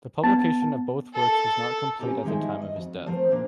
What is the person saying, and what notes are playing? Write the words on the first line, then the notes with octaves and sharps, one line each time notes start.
The publication of both works was not complete at the time of his death.
B3 A5
A4
B2 C4 C#4 D#4 G4 A#5
G2 D#3 F3 G#3 D#4 E5
D#5
F2 F#4
F3 A3 C4 A#4 C5
A#2 A#3 D4 F4